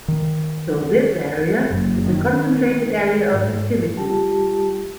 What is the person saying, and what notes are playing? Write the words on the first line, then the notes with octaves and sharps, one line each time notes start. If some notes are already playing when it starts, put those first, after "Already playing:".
So this area is a concentrated area of activity.
D#3
F#1
D#3
G#2
G3 F4 G4 A5